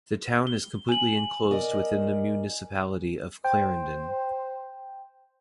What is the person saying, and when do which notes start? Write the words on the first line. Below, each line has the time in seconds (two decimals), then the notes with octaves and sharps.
The town is completely enclosed within the municipality of Clarendon.
0.47 G7
0.89 G#5 F#7
1.51 A#4 D5 D#5
3.44 C5 G5